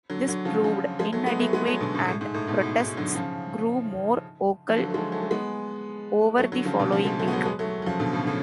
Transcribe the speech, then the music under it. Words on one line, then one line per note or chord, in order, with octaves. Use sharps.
This proved inadequate and protests grew more vocal over the following week.
D3 F#3
D3 F#3
C#3 F3
C#3 F3
F3 G#3
F#3 A3
G#3 B3
F#3 A3
G#3 B3
F#3 A3
B2 D3
A2 C#3
A2
G#2
A2
G#2 B2
A2
G#2
D3 F#3
C#3 F3
F3
D3 F#3
A3
F3 G#3
F#3 A3
A3
G#3 B3
F#3 A3
D3 F#3
C#3 F3
B2 D3
C#3 F3
F3 G#3
F#3 A3
B3
F#3 A3
G#3 B3
F#3 A3
F#3
C#3 F3
B2 D3
A2 C#3
A2 C#3